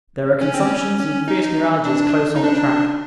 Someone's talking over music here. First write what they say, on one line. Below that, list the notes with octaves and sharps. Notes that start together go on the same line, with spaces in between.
There are consumptions and fierce neuralgias close on the track.
C#4
C4
C#4
C#4
D#4
D4
D#4
D4